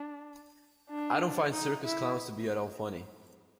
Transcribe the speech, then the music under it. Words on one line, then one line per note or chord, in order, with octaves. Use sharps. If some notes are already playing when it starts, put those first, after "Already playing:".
I don’t find circus clowns to be at all funny.
Already playing: D4
D4
D#4
E4